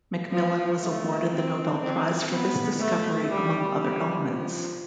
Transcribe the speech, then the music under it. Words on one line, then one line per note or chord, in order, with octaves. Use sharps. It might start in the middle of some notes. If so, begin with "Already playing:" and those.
McMillan was awarded the Nobel Prize for this discovery among other elements.
F3
A3
C4
C4
B3
A3
G3
G3
F3